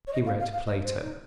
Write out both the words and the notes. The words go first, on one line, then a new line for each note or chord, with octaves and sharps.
He read Plato.
C#5
D#5
F5
F5
F5
D#5
C5
D#4